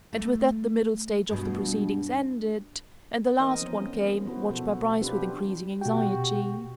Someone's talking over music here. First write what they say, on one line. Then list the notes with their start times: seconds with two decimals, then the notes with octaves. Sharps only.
And with that the middle stage of the proceedings ended--and the last one came, watched by Bryce with increasing anxiety.
0.13 A3
1.30 G2 B2
3.39 E3 C4 D#4 A#4 C5 D#5
3.62 F3 B3 C#4
4.25 B3 E4 F#4 B4 C5
4.50 B2 F3 F#4 A4
5.01 C4 D4 F4 G4 B4 C5
5.81 B2 F#4 G4 G5